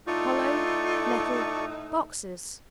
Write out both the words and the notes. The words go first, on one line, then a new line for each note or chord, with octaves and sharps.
Hollow metal--boxes!
A2 A3 D#4 F4 A4 D5 C#6